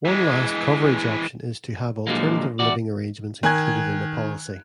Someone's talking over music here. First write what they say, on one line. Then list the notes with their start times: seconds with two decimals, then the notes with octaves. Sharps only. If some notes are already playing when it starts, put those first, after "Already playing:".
One last coverage option is to have alternative living arrangements included in a policy.
0.05 E3 G#3
2.07 A#2 D3 F3 F#3 G#3 A#3
2.59 E2 F#4 D5
3.43 D#3 G#5 F#6 G#6